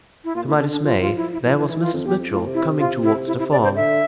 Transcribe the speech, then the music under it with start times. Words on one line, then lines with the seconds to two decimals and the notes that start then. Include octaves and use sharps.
To my dismay, there was Mrs. Mitchell coming towards the farm.
0.24 E4
0.35 A#2 F4
0.47 E4
0.60 D3 D4
0.72 D4
0.84 F3 F4
1.01 F4
1.16 E4
1.33 E4
1.44 F3 E4
1.57 E3 D4
1.69 E3 E4
1.81 E3 F4
1.93 F2
2.05 E2 G4
2.18 F2
2.30 A2 F4
2.46 C3
2.54 E4
2.63 C3
2.79 F4
3.03 E4
3.27 E4
3.39 E4
3.51 D5
3.64 C5
3.76 D3 E5